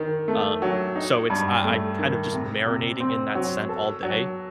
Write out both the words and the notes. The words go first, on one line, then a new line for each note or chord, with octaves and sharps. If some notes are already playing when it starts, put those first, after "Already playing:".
um, so it's I I kind of just marinating in that scent all day.
Already playing: D#3
A3
F#3
D#4
G2
A3
D#3
C3
C3
C4
F#3
A4
F#3